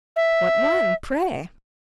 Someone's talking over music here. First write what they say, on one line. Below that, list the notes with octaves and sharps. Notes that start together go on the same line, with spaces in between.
"What one, pray?"
E5